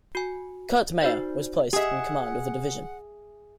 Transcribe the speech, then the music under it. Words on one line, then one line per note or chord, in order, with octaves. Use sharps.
Kurt Meyer was placed in command of the division.
F#4 G#5
D#4 F#4 C5 D5
G4 G#4 D#5 E5 F#5